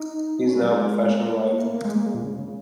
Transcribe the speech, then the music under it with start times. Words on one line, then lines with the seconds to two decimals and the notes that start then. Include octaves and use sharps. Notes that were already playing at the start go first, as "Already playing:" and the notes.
He is now a professional writer.
Already playing: D#4
0.45 C#4
0.53 G#3
0.62 F#3
0.69 G#3
1.09 A#3
1.74 A#3
1.85 G#3
1.95 A#3
2.06 G#3
2.14 A#2
2.22 C#3
2.30 G#2
2.39 C#3